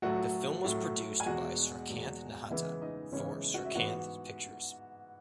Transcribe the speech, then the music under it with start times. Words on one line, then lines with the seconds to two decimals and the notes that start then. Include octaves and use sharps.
The film was produced by Srikanth Nahata for Srikanth Pictures.
0.02 A2 F#3 A3 F#4 F#5
0.64 A2 F#3 A3
1.20 G#5
1.26 E2 B2 G#3 F#4 F#5
1.89 E2 B2 G#3
2.50 C#3 E3 G#3 B3 E4 E5
2.81 D#4 D#5
3.12 C#3 E3 G#3 B3 C#4 C#5
3.54 F#4 F#5
3.65 E5
3.75 G#2 E3 B3 F#4 F#5